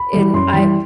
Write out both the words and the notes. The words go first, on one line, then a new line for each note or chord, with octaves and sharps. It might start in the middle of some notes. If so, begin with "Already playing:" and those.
and I
Already playing: B5
E3 G3
F#2 C6
E3 G3